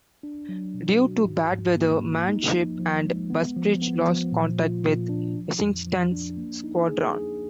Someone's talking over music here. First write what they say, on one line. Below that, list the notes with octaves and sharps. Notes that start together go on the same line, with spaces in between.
Due to bad weather, "Manship" and "Busbridge" lost contact with Essington's squadron.
D4
F#3
B2
F#4
G#2
G#2
A#3
A#3
D#4
F3
F3
G#3
B3
F3
B3
F3
A#2
F4
A#2
D4
F3
F2
F3
D4
A#3
D#4
G#4
G#4